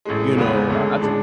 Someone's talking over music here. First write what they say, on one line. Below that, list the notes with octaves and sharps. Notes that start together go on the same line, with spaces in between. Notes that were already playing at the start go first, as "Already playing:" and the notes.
you know, I I took
A1 A2 G#3
E2 C#3 G#3 B3
D2 D3 G#3 C#4
A2 G#3 D4 G#4